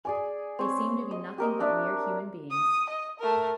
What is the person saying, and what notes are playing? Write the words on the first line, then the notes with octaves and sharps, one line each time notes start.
They seem to be nothing but mere human beings.
G#4 D5 G#5
C4 C#5
D#5
G4 A#4 D#5
D4 E5
D#6
D#5
A3 A#4